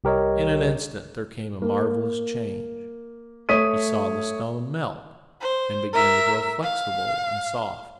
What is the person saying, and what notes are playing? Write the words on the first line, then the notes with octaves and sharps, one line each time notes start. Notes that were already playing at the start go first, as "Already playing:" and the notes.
In an instant there came a marvellous change. He saw the stone melt, and begin to grow flexible and soft.
C2 G4 A#4 C#5 D#5
A#3
A3 C#5 D#6 B6 D#7
C5
A#4 E5
F5